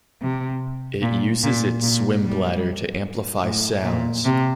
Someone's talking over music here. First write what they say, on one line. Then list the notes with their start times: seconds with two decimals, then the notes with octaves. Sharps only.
It uses its swim bladder to amplify sounds.
0.21 C3
1.02 A#2
1.43 A#2
1.83 A#2
2.23 G3
3.44 A2
3.84 A#2
4.25 C3